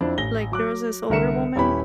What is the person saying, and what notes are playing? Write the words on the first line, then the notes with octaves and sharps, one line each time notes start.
like, there was this older woman,
F2 C4 D4 E4
A1 A#6 G7
F#3 D6 F#6
C2 D3 A#4 E5 C#7 E7
D#1 C#4 E4 G4 B4 B5